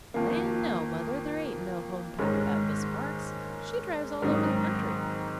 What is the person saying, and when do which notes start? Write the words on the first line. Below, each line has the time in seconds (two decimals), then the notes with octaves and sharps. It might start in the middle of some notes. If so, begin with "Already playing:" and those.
"Land, no, mother; there ain't no home'path 'bout Miss Parks--she drives all over the country."
0.14 F2 D#3 A#3
2.18 G#2 D#3 G#3 C#4
4.22 G#2 D#3 F#3 C4 D#4